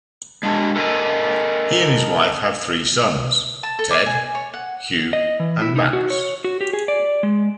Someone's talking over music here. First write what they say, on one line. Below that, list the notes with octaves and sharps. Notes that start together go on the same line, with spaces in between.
He and his wife have three sons, Ted, Hugh and Max.
G#3 D4
A4 A#4 D#5 G5 G#5
A5
A4
D6
G#5
C#5
F#5
D#5
E3
E4
D#4
F#4
C#5
F#4
G4
G#4
D5
G#3